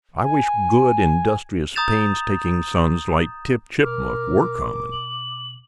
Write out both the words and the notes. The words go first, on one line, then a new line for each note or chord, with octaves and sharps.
I wish good, industrious, painstaking sons like Tip Chipmunk WERE common.
G#5
A#5 D#6 G6 A6 E7 F7
B2 A#4 D6 F6
F#7